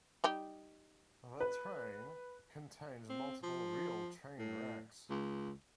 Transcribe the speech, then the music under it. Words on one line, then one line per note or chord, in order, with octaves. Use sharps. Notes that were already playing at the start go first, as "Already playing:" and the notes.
"The Train" contains multiple real train wrecks.
G3 D#4 G4
B4
C4
F3
A2
C#2